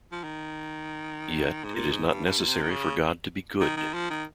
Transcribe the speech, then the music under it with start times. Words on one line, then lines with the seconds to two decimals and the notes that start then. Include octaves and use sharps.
Yet, it is not necessary for God to be "good".
0.12 F3
0.24 D#3
1.64 G#2
1.74 A#2
1.91 G#2
2.09 G2
2.25 G2
2.38 A#2
2.48 C3
2.63 D#3
2.71 C#3
3.61 D#3
3.77 D#3
3.94 F3
4.10 D#3